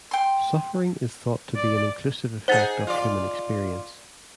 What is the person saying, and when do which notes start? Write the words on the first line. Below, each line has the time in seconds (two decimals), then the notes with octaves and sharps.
Suffering is thought to be an inclusive effect of human experience.
0.11 G5 C6
1.56 D5
2.48 D#4 G#4 C5 F#5 A6
2.87 F4 D5